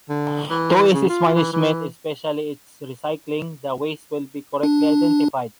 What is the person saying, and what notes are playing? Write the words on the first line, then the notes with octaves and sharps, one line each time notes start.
To ease its management and especially its recycling, the waste will be correctly identified.
D3
E3
C#3
F4
E3
E3
D4